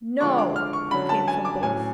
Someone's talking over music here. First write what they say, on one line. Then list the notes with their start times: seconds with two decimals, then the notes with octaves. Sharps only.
"No," came from both.
0.20 D3 F3 G#3 D4 C#6
0.38 D6
0.56 F6
0.73 C#6
0.91 D3 F#3 C#4 B5
1.09 A5
1.28 G#5
1.45 D6
1.63 A2 F#3 C#4 G#5